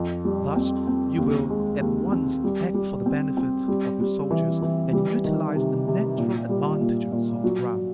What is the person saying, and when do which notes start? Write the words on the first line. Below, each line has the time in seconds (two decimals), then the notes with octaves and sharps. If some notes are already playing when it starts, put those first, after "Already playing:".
Thus you will at once act for the benefit of your soldiers and utilize the natural advantages of the ground.
Already playing: F2
0.25 G3
0.56 C4
0.87 C4
1.18 D#2
1.50 G#3
1.81 D#2
2.12 C4
2.44 G3
2.74 G3
3.06 C4
3.37 C4
3.68 G3
4.00 G3
4.30 E3
4.62 E3
4.93 G3
5.24 D#3
5.55 C3
5.88 C3
6.18 A#2
6.49 G3
6.81 A#2
7.12 A#2
7.44 F#3